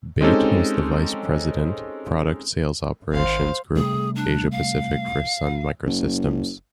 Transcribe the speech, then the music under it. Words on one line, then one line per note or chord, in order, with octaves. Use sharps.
Bate was the Vice President, Product Sales Operations Group, Asia Pacific for Sun Microsystems.
G#3 C4 C#4 D#4 G4 A4
G#1 C5 F5
C3 G3 A3 G#4
D4
F5
F#1